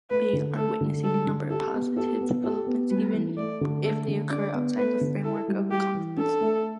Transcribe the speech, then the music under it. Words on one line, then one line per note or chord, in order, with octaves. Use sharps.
We are witnessing a number of positive developments, even if they occur outside the framework of the Conference.
A3 B4
D3
A3 A4
D3
G3 A4
D3
G4 A4
B3
G4 A4
B3
G4 A4
B3
G3 B4
E3
A3 D5
D3
A3 A4
D3
D4 D5
B3
A3 B4
D3
E4 A4
G3
G3 G4
E3
D4 A4
A3